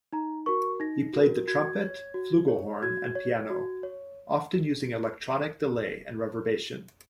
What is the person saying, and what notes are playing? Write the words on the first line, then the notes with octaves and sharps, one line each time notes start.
He played the trumpet, flugelhorn, and piano, often using electronic delay and reverberation.
D#4 A#5
F#4 A#4 C#6
D#4 A#6
F#4 A#4
F#4 G#6
C#5
F#4
C#5
F#4 G#6
C#5
F#4
C#5